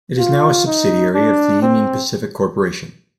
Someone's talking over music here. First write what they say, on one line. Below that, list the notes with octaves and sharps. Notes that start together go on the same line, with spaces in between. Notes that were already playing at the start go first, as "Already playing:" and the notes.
It is now a subsidiary of the Union Pacific Corporation.
F4
D#4
D4
C4